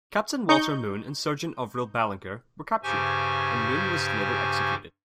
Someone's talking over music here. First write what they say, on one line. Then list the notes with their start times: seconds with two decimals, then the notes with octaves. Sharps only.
Captain Walter Moon and Sergeant Orville Ballenger were captured, and Moon was later executed.
0.49 D#4 C#6 G6
2.83 G2 C#3 G4 C5 G#5 C#6